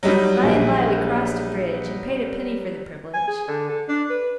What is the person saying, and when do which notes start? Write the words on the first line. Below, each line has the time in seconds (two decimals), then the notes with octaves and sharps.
By and by we crossed a bridge, and paid a penny for the privilege.
0.03 F#3 G3 D#4
0.44 A#1
3.14 G#5
3.28 G#4
3.48 D3
3.70 A4
3.89 D4
4.10 B4